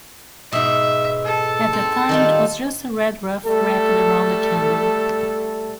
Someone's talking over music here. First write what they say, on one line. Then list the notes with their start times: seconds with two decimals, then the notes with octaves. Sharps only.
At that time it was just a red ruff wrapped around a candle.
0.52 G#2 B2 E5
1.26 A4
1.73 C4
2.09 D#3 G3 F4
3.46 G3 A3 A4